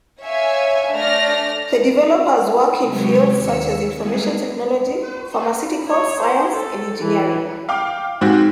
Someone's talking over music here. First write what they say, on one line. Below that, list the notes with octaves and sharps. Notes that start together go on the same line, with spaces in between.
The developers work in fields such as information technology, pharmaceuticals, science and engineering.
C#5 E5 F5 G#5
A3 D4 D5 F6 A#6
C3 F#3 G#3 G4 C#5
D#2 E6 C#7
G3 G#3 A#3 B3 E4 G#4
C#5
C5
A4
E3
F5 G5 D6
G#2 C4 F#4 G4